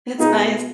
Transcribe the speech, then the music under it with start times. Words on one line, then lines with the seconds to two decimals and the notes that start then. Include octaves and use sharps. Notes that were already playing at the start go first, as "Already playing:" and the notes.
it's nice.
0.19 B2 B3 D#4 F4 G#4